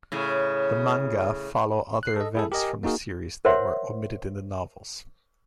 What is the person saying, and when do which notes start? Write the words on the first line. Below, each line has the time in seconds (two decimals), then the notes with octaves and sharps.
The manga follow other events from the series that were omitted in the novels.
0.12 A2 C#3
2.03 F#6 C7
2.16 A4 D#5
2.35 E4 G#4 A4
2.52 G4 A#4 D#5 G#5
2.83 A#3 D#4 F#4 G#4 A#4
3.45 A#4 C5 C#5 E5 F#5 C6